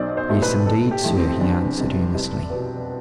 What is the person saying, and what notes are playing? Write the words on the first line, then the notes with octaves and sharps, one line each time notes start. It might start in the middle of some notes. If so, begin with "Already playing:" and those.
"Yes, indeed, sir," he answered, earnestly.
Already playing: B1 C5 D5
C5
B2 A3 E4 G4
B4
G1 A4
G4
F2 E3 A3
C4
E2 D4
C3 G3
C2
B2 B3